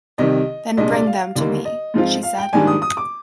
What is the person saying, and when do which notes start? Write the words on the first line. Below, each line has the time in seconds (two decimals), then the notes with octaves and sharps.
"Then bring them to me," she said.
0.18 C2 C3 D#3 D#5
0.77 C2 A#2 G#3 D4 D#5
0.92 D5
1.06 F5
1.36 D#2 D3 G3 A#3 D#4
1.65 D#5
1.94 G#2 F3 C4 F4
2.23 F5
2.38 G5
2.53 A#1 G#2 D#3 G3 D4 G#5
2.67 D#6
2.82 D#6
2.97 D6